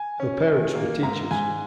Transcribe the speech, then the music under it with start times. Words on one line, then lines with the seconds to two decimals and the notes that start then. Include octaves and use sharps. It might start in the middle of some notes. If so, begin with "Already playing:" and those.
Her parents were teachers.
Already playing: G#5
0.20 C#4
0.47 D#3
0.75 A#3
1.03 G#2 A#5
1.31 G#2 G#5